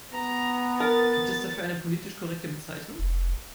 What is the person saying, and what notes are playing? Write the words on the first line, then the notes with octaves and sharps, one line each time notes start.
Gibt es dafür eine politisch korrekte Bezeichnung?
B3 A#5
A#4 A6
F1